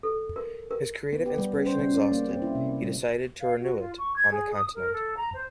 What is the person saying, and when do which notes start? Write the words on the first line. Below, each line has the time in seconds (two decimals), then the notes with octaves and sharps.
His creative inspiration exhausted, he decided to renew it on the continent.
0.03 A4
0.36 A#4
0.71 A#4
1.13 B3
1.26 G4
1.38 G3
1.53 C#3
1.67 C5
1.79 C#3
1.94 D5
2.12 A#3
2.29 C4
2.42 E4
2.55 C3
2.83 G3
3.41 F5
3.58 F#4
3.77 F4
3.98 C#6
4.14 G#6
4.30 G#4
4.51 D#6
4.74 A#4
4.93 A4
5.16 A#5
5.33 C5